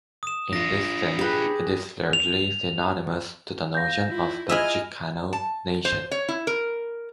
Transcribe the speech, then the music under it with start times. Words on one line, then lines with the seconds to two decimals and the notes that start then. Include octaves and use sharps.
In this sense it is largely synonymous to the notion of the Chicano nation.
0.23 D#6 E7
0.53 D4 F4 A#6
1.19 G4 G#4 B4
2.13 F7
3.75 F5 G6 A#6
4.10 E4 F4
4.49 E4 F4 G#4 D#5 E5 F6
5.33 A5
5.85 C5
6.11 C#5
6.29 E4
6.47 A#4